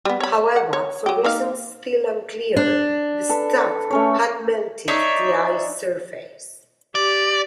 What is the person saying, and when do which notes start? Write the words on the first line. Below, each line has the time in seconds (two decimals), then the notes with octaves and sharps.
However, for reasons still unclear, the staff had melted the ice surface.
0.05 G3 B3
0.20 C#5 B5
0.56 F#5
0.73 C#5
1.06 F#3 G4
1.24 A#3 D#4 F5
2.56 D4
3.29 A4 B4
3.91 A3 C#4 C#5
4.88 D4 D#4 C#5 E5
6.95 G4 D5